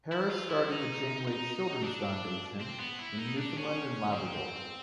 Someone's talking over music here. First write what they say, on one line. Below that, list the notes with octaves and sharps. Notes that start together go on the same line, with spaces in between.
Harris started the Janeway Children's Foundation in Newfoundland and Labrador.
E4
F4
E4
D#4
D#4
D4
C4
B3
E4
D#4
D4
C#4
C4